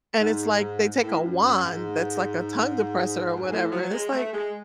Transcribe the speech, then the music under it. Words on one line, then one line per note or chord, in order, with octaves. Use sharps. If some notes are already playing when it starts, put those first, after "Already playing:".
And it's, like, take a wand that's, like, a tongue depressor or whatever, and it's, like,
G#2
A2
F#2
F#2
G#2
F#2
G#2
A2
F#3
G#3
A3
G#3